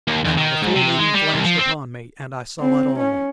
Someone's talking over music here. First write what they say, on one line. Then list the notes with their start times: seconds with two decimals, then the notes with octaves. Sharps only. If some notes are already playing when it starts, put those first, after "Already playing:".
Now the full meaning flashed upon me, and I saw it all.
0.08 D#2
0.25 E2
0.37 D#3
0.62 G#2
0.75 C3
0.98 G#3
1.14 G3
1.32 C2
1.44 F3
1.58 C4
2.60 C4
2.99 C#4